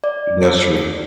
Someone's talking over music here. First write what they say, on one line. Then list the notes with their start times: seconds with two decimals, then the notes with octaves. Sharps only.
That's true.
0.04 D5